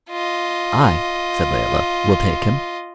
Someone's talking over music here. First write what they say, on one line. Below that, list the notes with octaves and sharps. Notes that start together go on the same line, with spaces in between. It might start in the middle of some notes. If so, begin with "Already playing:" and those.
"I," said Layelah, "will take him."
F4 D#5